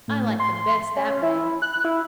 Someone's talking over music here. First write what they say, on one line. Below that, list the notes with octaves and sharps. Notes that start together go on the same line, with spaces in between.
I like them best that way.
A2
C6
C#4
E4
F#6
E4